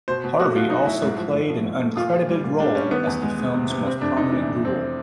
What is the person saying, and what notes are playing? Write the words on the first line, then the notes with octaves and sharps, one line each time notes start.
Harvey also played an uncredited role as the film's most prominent ghoul.
B2 C5
B2
A3 F#4
F#3 F4
B2 D#4
F#3 E4
G#2
F3
G#2
F3
G#2
A3
A#2 F4
A#2
G3
A#2
G3 D4
G3 C#4
D#3 B3
E2
G#3
G#3
C3
C3
C3 C4
F2 D4
C3 D#4
E3 D4
F2
F2 C4